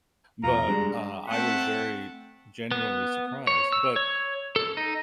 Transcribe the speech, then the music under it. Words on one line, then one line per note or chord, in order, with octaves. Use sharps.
But, uh, I was very, genuinely surprised, but
F2 B2 F4 A#5
G3 G#3 D4
A3 C4 E5 F#5 G5 A5
B3
C#5
E6
C#5
A4
D#4